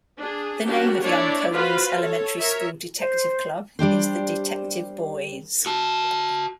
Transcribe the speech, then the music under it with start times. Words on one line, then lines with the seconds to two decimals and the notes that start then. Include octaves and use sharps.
The name of young Conan's elementary school detective club is the "Detective Boys".
0.19 D4 G#4
0.64 G3 A#3 C#4 D4 F#4 G4
1.03 D4 E4 C#5 D5
1.52 F4 F#4 B4 C5 F5
1.98 A4 C#5
2.39 A#4 C#5 E5
2.99 C5
3.79 G3 D4 G4 C5
5.66 F#4 A5